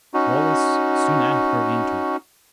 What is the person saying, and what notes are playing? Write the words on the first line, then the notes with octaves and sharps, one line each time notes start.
Wallace soon after entered.
C#4 D#4 F#4